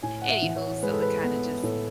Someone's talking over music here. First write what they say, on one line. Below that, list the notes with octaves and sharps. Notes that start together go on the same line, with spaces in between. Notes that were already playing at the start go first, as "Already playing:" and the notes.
anywho, so, it kinda just
A2 G#5
F#5
E5
E3
C#5
G#3 B4
A4
B4
B3
A2 A4